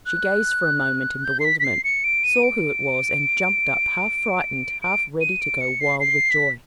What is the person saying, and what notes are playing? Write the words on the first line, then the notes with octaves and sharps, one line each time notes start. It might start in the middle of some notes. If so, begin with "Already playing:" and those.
She gazed for a moment in bewilderment, saw who it was, and jumped up half frightened, half ready to go wild with joy.
F#6
G6
C7
B6
B6
C7
C#7
D7
D#7
D7
D7
D#7
D7
C#7
C7
C7
B6